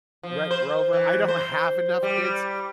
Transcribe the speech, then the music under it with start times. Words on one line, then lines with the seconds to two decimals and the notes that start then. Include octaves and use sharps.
Red Rover, I don't have enough kids
0.23 F3
0.51 C5
0.93 E3
1.28 C5
2.03 G3